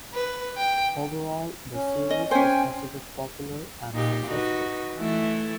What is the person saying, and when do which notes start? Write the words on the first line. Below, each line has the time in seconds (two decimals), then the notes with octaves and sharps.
Overall the series was considered popular and successful.
0.13 B4
0.57 G5
1.73 C#4
2.10 D#5
2.31 C#4 C5 G5 G#5
3.93 A#2 D#4 G4
4.27 D#4 F#4 B4
4.97 E3 A3 E4